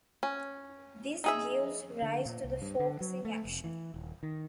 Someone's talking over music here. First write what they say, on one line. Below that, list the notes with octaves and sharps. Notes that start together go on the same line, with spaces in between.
This gives rise to the focusing action.
C#4
D#4 G#4 E5
D3
A#2
C2
G2
D3
F#3
A3
F1
E3
D#1
D#3